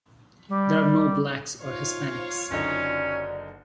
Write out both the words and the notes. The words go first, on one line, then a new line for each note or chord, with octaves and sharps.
There are no blacks or Hispanics.
G3
F#2 D#4 F4 C5 C#5 F5
F#1 D3 F#3 C#4 D#4 D5